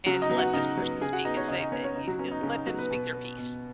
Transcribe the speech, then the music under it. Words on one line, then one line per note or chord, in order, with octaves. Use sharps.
and let this person speak," and say that eh, "Let them speak their peace."
C#3 F#3 F#4
D#4 D#5
F#3 B3
F#4 F#5
C#3 D#4 D#5
F#3 B3
C#3 G#4 G#5
F#4 F#5
B3 D#4 D#5
C#4 C#5
C#3 D#4 D#5
D#4 D#5
B3 C#4 C#5
C#4 C#5
C#3 D#4
F#3 F#4
B3 C#4
D#4
C#3 C#4
D#4
F#3 B3 F#4
B3 B4
B2
B3
B2